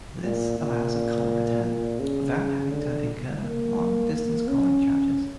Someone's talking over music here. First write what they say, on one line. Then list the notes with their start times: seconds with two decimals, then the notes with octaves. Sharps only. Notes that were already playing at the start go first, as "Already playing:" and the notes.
This allows a call return without having to incur long distance calling charges.
0.24 A#2
0.59 A#2
1.64 A#2
2.00 C#3
2.72 D3
3.42 A#3
4.12 A#3
4.48 C#4